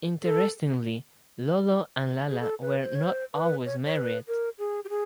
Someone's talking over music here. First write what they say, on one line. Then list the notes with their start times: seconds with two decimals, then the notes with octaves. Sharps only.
Interestingly, Lolo and Lala were not always married.
0.22 A4
2.29 G#4
2.40 A4
2.61 B4
2.82 C5
2.95 C#5
3.03 C5
3.34 B4
3.65 C#5
3.85 C#5
3.96 B4
4.27 A#4
4.58 G#4
4.84 G4
4.89 G#4